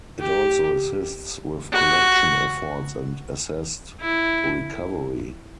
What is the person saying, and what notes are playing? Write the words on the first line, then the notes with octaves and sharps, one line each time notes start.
It also assists with collection efforts and asset recovery.
G4
F#4
E4